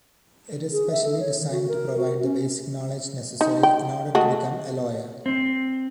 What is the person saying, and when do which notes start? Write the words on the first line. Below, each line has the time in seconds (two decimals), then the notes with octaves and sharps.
It is specially designed to provide the basic knowledge necessary in order to become a lawyer.
0.72 G#4
0.91 E5
1.04 A4
1.20 C#5
1.40 D#3
1.52 F#4
1.68 A#4
1.97 F#4
2.23 C#4
3.41 D#4
3.63 G5
4.15 G#3 A3 F#4
5.26 C4